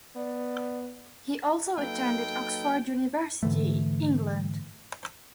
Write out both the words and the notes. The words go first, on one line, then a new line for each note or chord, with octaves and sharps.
He also attended Oxford University, England.
B3 D5
F#3 A#3 D#4 A4 B4 F5 G5
G#2 D3 E3 A3